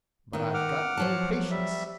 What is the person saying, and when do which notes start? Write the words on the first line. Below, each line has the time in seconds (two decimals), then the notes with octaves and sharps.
"But I've got no patience."
0.33 D#3 B3
0.54 F#5 D6 F6
0.97 F3 F#3 A5
1.51 G3 E5